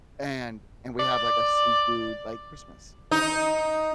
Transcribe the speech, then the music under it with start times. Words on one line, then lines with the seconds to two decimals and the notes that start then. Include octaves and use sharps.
And and we have like a seafood, like, Christmas.
0.99 D5
3.11 D#4